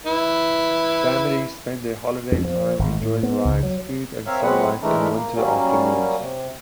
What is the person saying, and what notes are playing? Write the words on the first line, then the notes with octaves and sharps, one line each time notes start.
Families spend their holiday time enjoying rides, food and sunlight in winter afternoons.
E4 B4
F2
F3
G#1
A2
B3
C#2
F#3
C4 A#4 C#5 E5 F5
F#3 G#3 C4 B4 F#5
E3 G#3 A3 D4 E4 A#4
A#3
F#3 G3 A#3 C#4
C3